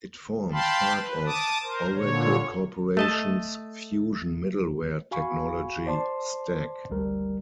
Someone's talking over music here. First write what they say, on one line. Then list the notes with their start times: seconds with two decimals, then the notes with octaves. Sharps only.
It forms part of Oracle Corporation's Fusion Middleware technology stack.
0.52 F5 G5 A5 B5 C6
0.96 B4
1.26 A5 D6 D#6
1.63 A#4 C5
1.94 A#2 D3 C#5
2.97 A3 D#5 A5
5.11 F#4 F5 G#5 B5 C#6
5.86 C5 D5 A5 C6
6.90 G#1 D2 G3 A#4